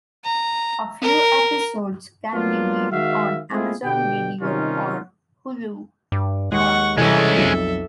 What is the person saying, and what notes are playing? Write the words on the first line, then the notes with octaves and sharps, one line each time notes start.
A few episodes can be viewed on Amazon Video or hulu dot com.
A#5
A#4
F#3 A#3 B3 D4 F4
D#3 G#3 F#4 E5 F5
G#3 A3 C4 E4 F4 G#4
B2 D3 G4 G5
C3 D#3 G3 C#4 D#4 F4
G2 D6
D#2 G#3 F#5 C#6
G2 C3 E3 G#3 C#4 A4 E5
B1 F2